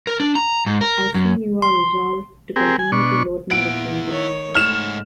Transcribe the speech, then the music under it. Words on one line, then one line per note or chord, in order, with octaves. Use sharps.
I see you are resolved to continue to load me with benefits.
A#4
D4
A#5
G#2
A#4
F#2
C6
C4 G4 G#4 A#4
G#5
B2 D4 C#6
A#2 B3 E4 F#5 D7
D#3 C#5
G#2 A3 C#5 F6 E7